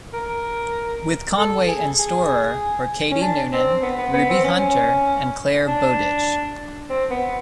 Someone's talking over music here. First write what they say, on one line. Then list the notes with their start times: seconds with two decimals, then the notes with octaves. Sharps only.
With Conway and Storer were Katie Noonan, Ruby Hunter and Clare Bowditch.
0.14 A#4
1.37 A4
1.68 G#4
1.99 G#4
3.11 C#4
3.21 D4
3.53 C4
3.83 B3
3.98 B3
4.14 B3
4.30 C4
4.44 C#4
5.68 D4
6.90 C4
7.11 B3